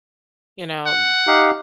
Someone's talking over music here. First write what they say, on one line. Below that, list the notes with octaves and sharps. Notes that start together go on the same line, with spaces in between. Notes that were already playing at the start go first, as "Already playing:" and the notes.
You know?
F#5
D#4 G4 F5